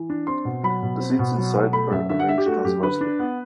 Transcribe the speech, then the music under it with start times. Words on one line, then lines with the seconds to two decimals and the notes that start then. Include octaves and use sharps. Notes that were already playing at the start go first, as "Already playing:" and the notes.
The seeds inside are arranged transversely.
Already playing: E3
0.10 D4
0.27 C4 C6
0.45 B2
0.63 F#3 B5
0.83 B2
1.00 C4
1.19 B2
1.38 F#3
1.55 B2
1.73 A3 B5
1.91 F#2 E5
2.09 D3 E5
2.20 F#5
2.29 D4 E5
2.38 G4
2.46 A3 F#4
2.64 F#2 G4
2.83 D3 B4
3.01 D4
3.19 B3